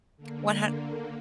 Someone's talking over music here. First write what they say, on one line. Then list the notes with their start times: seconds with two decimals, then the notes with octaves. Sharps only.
One hun
0.17 D3 A#3